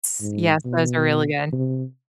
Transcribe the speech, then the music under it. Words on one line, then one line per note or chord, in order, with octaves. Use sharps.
Ts Yes. Those are really good.
G#2
B2
C3